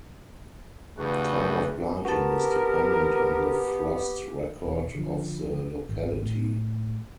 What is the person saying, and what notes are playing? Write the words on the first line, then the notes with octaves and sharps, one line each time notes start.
Time of planting is dependent on the frost record of the locality.
E2 G2 C#3 A3 F#4 B4
B3 F#4 G4 A#4 A5
E1
D3 F3
G#1
A2